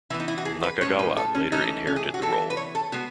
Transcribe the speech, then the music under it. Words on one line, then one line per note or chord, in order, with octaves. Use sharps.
Nakagawa later inherited the role.
E3 B3 E4
D#4
E4
F#4
G#4
B4
A2 G#3 C#4 C#5
B4
A4
C#4
E3 A3 C#4 D#4
C#4
G#4
F#4
E3 B3 A4
B4
C#5
A4
G#3 B3 F#4